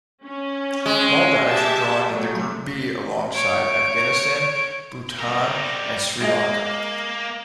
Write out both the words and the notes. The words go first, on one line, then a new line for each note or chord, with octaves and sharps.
Maldives were drawn in the group B alongside Afghanistan, Bhutan and Sri Lanka.
C#4
G#3
G4 E5 A5
F#3 A3
C#5 D7
G3 A#4
G#3 A#3 D#5